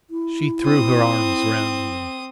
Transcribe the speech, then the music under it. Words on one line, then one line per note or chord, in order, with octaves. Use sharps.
She threw her arms round him.
E4
C4 D#6